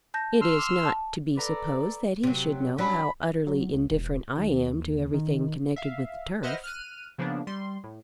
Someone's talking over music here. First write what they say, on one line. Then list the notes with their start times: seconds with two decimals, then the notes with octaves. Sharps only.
"It is not to be supposed that he should know how utterly indifferent I am to everything connected with the turf."
0.14 A5 G6 A#6
0.41 C6 E6 F6
0.59 D6
0.85 A5
1.37 A4 B4 D5 A#5
2.23 C3 F#3
2.78 F#3 C#4 D4 B5
3.47 F#3
3.73 C#2
3.91 E1
4.38 D#2
5.14 D#3
5.76 E5 F5
6.43 B4 C5 D#5 E5 F#5 F6
6.64 F6 F#6 D#7
7.18 C#3 F3 A#3 B3 D4
7.47 G3 C6
7.84 A2